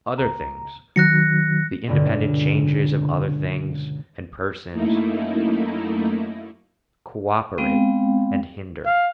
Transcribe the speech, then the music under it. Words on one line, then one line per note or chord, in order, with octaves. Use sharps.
Other things, the independent changes of other things and persons, cooperate and hinder.
C#2 A#5
D#3 F#3 F#6 A#6 C#7
C#2 G2 B2 D3
F#2 A3 A#3 D#4 E4
G#3 B3 C4 F5 G5
F5